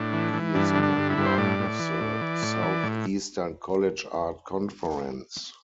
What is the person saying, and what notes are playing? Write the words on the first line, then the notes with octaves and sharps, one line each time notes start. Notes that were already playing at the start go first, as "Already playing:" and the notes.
He is a member of the Southeastern College Art Conference.
Already playing: A2 D4
E3
E3
G2 D4
D3
D4
G2
E4
G2
C5
A2 D5
A2
E3
A2
E3
A2
E3
A2